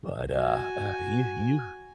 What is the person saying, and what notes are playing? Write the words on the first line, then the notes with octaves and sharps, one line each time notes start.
but, uh, uh, you you
F#4 G#5